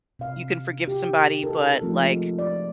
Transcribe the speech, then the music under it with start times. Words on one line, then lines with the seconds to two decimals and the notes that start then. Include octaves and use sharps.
You can forgive somebody, but, like,
0.19 C3 F5
0.88 G4
1.43 D#4 A4 A#4
1.82 F3 G#3 A3 B3 C4
2.39 D5